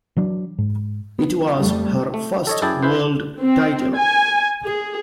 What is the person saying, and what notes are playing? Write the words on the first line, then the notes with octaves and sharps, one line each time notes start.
It was her first World title.
E3 F#3 D4
G#2
B3
F2 G3 A3
A3
A4 C#5 D#5
F#2 E4 G#4 D5 G5 A5
E4 B4 C5
C4
G#5
G#4